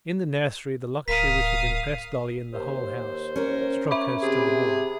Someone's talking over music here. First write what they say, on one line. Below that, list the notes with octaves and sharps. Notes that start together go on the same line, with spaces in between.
In the nursery the luxury which had impressed Dolly in the whole house struck her still more.
D1 A#4 F5 D#6 B6
D#2 C5
C#4 A#4
E5 B5 D6
C3 G#4